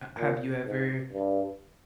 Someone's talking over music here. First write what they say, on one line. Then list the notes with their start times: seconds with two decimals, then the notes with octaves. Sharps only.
A have you ever
0.19 A#2
0.66 G#2
1.13 G2